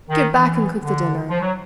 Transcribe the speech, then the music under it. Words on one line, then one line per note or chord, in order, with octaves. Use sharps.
Get back and cook the dinner.
D#3
E3
D3
F3
F#3